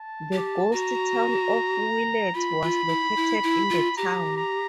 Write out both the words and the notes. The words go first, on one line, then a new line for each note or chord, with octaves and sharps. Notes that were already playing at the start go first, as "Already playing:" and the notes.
The ghost town of Willet was located in the town.
Already playing: A5
G4
F#4 A#5
F4 B5
F4
E4
E4
E4
F4
G4 A#5
A#5